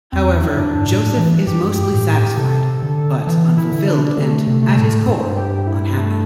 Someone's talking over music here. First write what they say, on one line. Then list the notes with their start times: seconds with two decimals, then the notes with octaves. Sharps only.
However, Joseph is mostly satisfied, but unfulfilled and, at his core, unhappy.
0.12 E2 C4
0.35 E4
0.52 E4
0.57 G2 D4
0.88 A2 D4
1.17 E3
1.47 G2 G4
1.92 A2
2.37 C3 A4
2.82 D3
3.27 E3
3.57 E4
3.72 D3
3.88 D4
4.17 D3 A3
4.47 C3
4.62 A3
4.69 C3
4.78 A2
5.07 G2 C4
5.37 G4
5.67 E4
5.97 A3